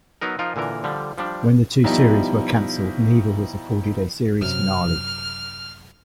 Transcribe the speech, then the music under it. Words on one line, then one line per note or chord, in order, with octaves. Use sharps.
When the two series were canceled, neither was afforded a series finale.
F#3 B3 D#4 A#4
F3 D#4 F4 A#4
A#2 D3 E3 A#4
D3 F3 G3
F3 G3 D4
B2 F3 G3 D#4 E4
F#2 C3 F6